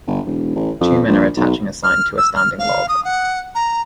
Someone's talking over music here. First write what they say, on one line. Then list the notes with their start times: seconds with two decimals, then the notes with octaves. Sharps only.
Two men are attaching a sign to a standing log.
0.07 G1
0.26 E1
0.56 A1
0.81 F2
1.08 A#1
1.37 B1
1.84 F6
2.18 E6
2.36 F6
2.59 F5
2.89 D#6
3.05 F#5
3.55 A#5